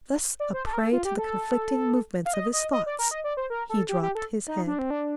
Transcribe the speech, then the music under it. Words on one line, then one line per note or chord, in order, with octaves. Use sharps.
Thus a prey to the conflicting movements of his thoughts, he dropped his head.
D5
C5
A4
A#4
A4
F4
G4
A4
F5
D#5
D#5
D#5
D5
A#4
D#5
D5
C5
A#4
A4
G4
G4
A4
D#4
D4
C4
D4